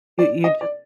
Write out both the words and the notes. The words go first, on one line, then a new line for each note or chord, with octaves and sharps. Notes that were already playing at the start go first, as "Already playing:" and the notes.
You you ju
D5
D#5
D5